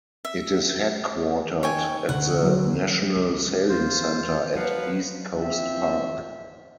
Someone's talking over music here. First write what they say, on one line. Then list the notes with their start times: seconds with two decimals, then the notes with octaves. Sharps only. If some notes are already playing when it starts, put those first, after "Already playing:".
It is headquartered at the National Sailing Centre at East Coast Park.
0.25 E5
1.63 D#4 C#5 G5 G#5
2.09 D2 F#5
2.43 F#3
3.17 C#2
3.69 E2 F4 C5
4.55 F3 F#3 B4 F5 F#5
5.34 F#1 F3 C4 C5 E5